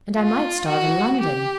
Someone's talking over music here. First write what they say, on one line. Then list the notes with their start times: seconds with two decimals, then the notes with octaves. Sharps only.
'And I might starve in London.
0.17 F4
0.68 F#4
1.21 G4